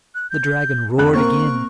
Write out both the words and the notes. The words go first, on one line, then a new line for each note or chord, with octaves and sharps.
The dragon roared again.
F#6
G6
F1 B5 F#6
A#3 C4 A#4 C#6